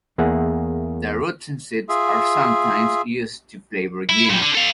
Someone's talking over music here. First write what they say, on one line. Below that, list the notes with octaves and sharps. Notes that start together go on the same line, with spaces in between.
The roots and seeds are sometimes used to flavor gin.
E2 A#3 G#4 E5 F#5
F4 G#4 E5
E4
A#2 G3
D3
A4 F5